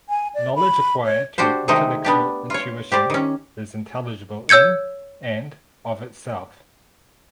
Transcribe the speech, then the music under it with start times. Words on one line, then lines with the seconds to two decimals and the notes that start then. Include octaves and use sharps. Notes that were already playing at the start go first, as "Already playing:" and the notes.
Knowledge acquired through intellectual intuition is intelligible in and of itself.
0.09 G#5
0.34 D5
0.56 B5
1.05 C#5
1.38 D4 F#4 G4 C5
1.68 C3 D#3 G#3 A3 C4 D#4
2.05 B3 D4 G4
2.50 F4 C#5
2.92 G4 C5 D5
3.10 D#3 C#4
4.49 C#5 E6 G6 G#6 C#7